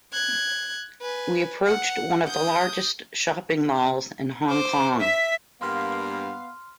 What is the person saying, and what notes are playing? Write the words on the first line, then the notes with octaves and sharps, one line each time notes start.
We approached one of the largest shopping malls in Hong Kong.
F#6 G#6
B4 G#5
F#5
D#6 G6
C5 D6
E5 B6
G2 A#3 B3 F5 C6 F6